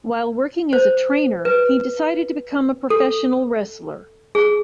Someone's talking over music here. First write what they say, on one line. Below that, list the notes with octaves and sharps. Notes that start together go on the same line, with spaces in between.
While working as a trainer, he decided to become a professional wrestler.
C5
B4
A4
G#4